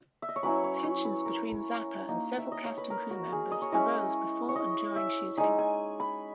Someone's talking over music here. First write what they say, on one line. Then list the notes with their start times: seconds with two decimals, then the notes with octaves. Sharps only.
Tensions between Zappa and several cast and crew members arose before and during shooting.
0.22 E5
0.29 D#5
0.36 C#5
0.43 F#3 C#4 E4 B4
0.64 C#5
0.84 C#5
1.05 B4
1.26 A#4
2.08 A#3 D#4
2.38 E5
2.52 D#5
2.65 C#5
2.78 B4
2.90 A#4
3.10 F#4
3.32 G#4
3.52 D#5
3.62 C#5
3.72 G#3 C#4 E4 D#5
4.49 C#5
4.56 D#5
4.96 E5
5.37 G#3 D#4 G#5
5.59 G#5
6.00 B5